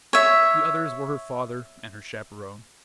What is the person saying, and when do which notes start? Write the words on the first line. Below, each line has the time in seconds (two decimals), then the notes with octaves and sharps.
The others were her father and her chaperone.
0.13 C#5 E5